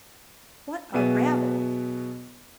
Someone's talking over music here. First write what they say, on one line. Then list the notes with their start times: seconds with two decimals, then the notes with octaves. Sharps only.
What a rabble!
0.94 B2 F#3 B3 G#4 E5 D#7